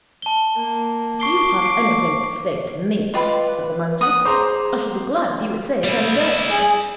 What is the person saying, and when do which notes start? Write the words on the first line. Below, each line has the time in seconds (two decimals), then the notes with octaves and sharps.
'If you have anything to say to me,' said the manager, 'I should be glad if you would say it, and go.'
0.22 A5 G7
0.56 A#3
1.20 C#6 D6 C7 G7
1.62 C7 D7
3.14 F4 B4 D5 D#5 G5 B5
4.01 F#5 D#6
4.25 G#4 C5 A#5 C6 D6
5.84 G3 E4
6.51 G#4